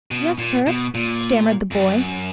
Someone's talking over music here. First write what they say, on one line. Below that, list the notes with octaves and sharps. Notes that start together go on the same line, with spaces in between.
'Yes, sir,' stammered the boy.
B2
A#2
B2
A#2
F2
F#2